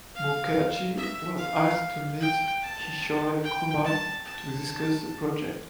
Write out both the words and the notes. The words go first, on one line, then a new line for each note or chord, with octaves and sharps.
Mukherjee was asked to meet Kishore Kumar to discuss the project.
F5
E5
F5
G5
A5
G5
A5
A5